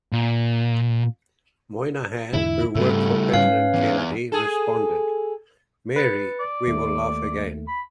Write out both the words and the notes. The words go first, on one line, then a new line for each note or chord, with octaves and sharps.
Moynihan, who worked for President Kennedy responded, Mary, we will laugh again.
A#2
E2 G#2 D3 E4
G#2 C#3 G3 A3 C4 A4
G#2 C#4 B4 C#5 F5
E2
G#4 A4
B4 A6 C#7
D5
D#2 A3
B5